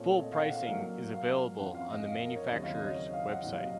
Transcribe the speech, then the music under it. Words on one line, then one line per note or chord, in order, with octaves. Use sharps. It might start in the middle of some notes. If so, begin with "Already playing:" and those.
Full pricing is available on the manufacturer's website.
Already playing: A#2 A3 C4 C#5
D#5
F5
F#5
F5
A#2 F#3 A#3 F5
F5
F#2 F3 C4 F#5
F5
D#5
F5
A#4
C#5
D#2 C#3 F#3 C4 D#5
F5
D#5
C#5
D#5
F5
F#5
C2 A#2 F#3 F#5
F5
D#5